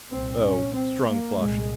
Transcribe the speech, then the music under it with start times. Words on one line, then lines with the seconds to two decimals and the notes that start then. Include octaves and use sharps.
"Oh--" Strong flushed.
0.11 C2 A#2 C4
0.43 C#4
0.75 C4
1.07 A#3
1.38 C2 A#2 G#3